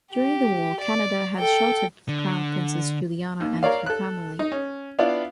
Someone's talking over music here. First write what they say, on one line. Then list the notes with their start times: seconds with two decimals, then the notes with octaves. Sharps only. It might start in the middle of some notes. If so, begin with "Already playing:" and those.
During the war Canada had sheltered Crown Princess Juliana and her family.
0.12 G4
0.81 D5
1.39 A4 G5
2.09 D3
3.40 D#2
3.63 A#4 C#5 D5 F5
3.86 A4 F#6
4.39 D#4
4.52 C#4
4.99 B3 D4 E4 F4 D5 F5